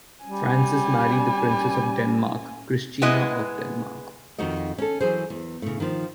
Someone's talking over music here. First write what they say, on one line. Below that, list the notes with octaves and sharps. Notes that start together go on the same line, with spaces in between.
Francis married the princess of Denmark, Christina of Denmark.
G3 C#4 G#5
G#3 B3 E4 G#4 D#5
F2 D#3 D#4 F#4 D#5
C#4 A4
E3 F#3 G#4 C5
E2
A2 C#3
D#3 F3